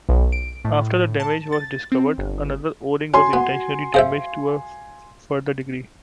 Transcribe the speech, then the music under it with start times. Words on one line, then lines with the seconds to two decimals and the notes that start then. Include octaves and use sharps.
After the damage was discovered, another O-ring was intentionally damaged to a further degree.
0.09 B1
0.32 D7
0.65 A2
1.20 A5
1.52 A6
1.92 C4
2.18 G1
3.14 C#4 F#4 G#5 C6
3.33 B3 F#4 F#5
3.94 G#4 C5 E5 F5